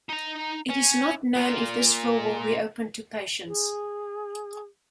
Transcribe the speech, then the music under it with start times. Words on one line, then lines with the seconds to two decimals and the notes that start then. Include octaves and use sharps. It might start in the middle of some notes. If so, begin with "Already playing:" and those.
It is not known if this floor will reopen to patients.
0.10 D#4 A#5
0.70 C#4
1.36 A#2 F4
3.46 G#4